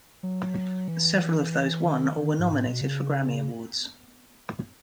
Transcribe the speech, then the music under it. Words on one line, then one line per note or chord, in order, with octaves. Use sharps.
Several of those won or were nominated for Grammy Awards.
F#3
E3
D#3
D#3
G#2
A2
B2
C#3